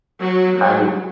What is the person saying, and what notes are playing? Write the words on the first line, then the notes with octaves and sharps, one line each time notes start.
I would
F#3
F#3